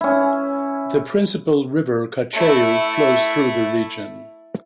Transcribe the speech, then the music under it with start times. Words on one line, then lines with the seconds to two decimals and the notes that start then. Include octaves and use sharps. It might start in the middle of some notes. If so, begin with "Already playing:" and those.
The principal river, Cacheu, flows through the region.
0.01 C#4 E4
2.34 A3 E4